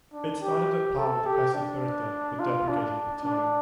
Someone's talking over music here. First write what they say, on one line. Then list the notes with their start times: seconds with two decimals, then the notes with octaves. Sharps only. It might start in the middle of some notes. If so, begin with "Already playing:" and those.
It started at par with the peso fuerte, but depreciated with time.
0.13 D4
0.41 G4
0.98 A4
1.26 G4
1.54 D4
2.39 F4
2.68 D4
3.24 D4